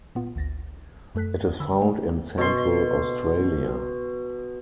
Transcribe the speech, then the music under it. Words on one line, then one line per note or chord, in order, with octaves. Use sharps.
It is found in central Australia.
A#2 B3 F4
G#1 D2 A6 A#6
F#2 A3 A4 F#6 B6
D3 B5 E6
A3
B2 C6